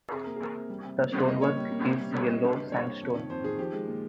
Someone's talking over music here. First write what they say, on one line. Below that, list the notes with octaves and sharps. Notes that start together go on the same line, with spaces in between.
The stone work is yellow sandstone.
C3 G#4
A#3 A#4
A#3 G#4
C3
G3
C3
A#3
G3
A#3 D#5
A#2 C#5
G3
A#3
C3
G3
G3 C#5
C3 D#5
G2 D#5
G2
C5
G3 C#5
A#3
F2
D#3
F2 C5
D#3 G#4
F3 G4
G#3
A#2